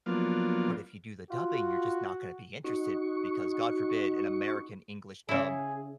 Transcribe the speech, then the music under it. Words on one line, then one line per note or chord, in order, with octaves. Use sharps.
But if you do the dubbing, you're just not gonna be interested because, God forbid, an American English dub
F3 F#3 A#3 B3 D4 F4
F4 F#4
D#4 F#4 C#6
C#3 E4 G#4